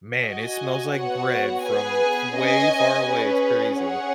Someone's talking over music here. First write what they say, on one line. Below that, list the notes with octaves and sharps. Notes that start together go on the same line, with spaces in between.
man, it smells like bread from f way far away, it's crazy.
F#4 D#5 G#5
B3 F#4 C#5 F#5
B3 G#4 B4 G#5
C#4 B4 D#5 G#5
C#4 G#4 B4
C#4 G#4 C#5 F#5